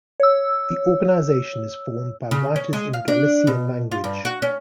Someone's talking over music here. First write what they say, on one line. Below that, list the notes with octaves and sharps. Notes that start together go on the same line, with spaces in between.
The organization is formed by writers in galician language.
C#5 E6
C#3
C#4
G#3
F5
D4
B2
F4
G2
F#4
C#4